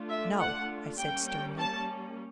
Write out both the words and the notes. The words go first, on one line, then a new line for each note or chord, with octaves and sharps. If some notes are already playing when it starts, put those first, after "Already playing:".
"No," I said sternly.
Already playing: A3 D4 F4
E5
F#5
G3 A#3 C#4 G5
G5
A5